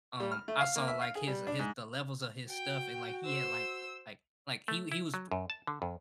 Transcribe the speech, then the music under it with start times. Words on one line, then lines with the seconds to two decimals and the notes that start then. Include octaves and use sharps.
um, I saw, like, his his the levels of his stuff and, like, he had, like like like he he was t
0.20 G3
0.31 F6
0.48 A3
0.60 F5
0.76 A#3
0.88 E5
1.01 F5
1.15 G#4
1.27 G3
1.47 D4
1.59 G#2
2.50 F#4 G5
3.25 C5 E6
4.68 A3
4.92 E4
5.14 F#3
5.32 F#2
5.50 A5
5.67 D3
5.82 F2